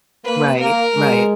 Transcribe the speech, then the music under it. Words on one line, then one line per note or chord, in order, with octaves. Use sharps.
Right, right.
A#3 B4
A#3 A#4
G#3